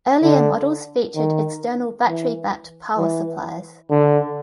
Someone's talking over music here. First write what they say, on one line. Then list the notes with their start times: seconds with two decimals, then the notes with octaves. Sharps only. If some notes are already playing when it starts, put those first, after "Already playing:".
Earlier models featured external battery-backed power supplies.
0.24 D3
1.15 D#3
2.07 E3
2.98 E3
3.90 D3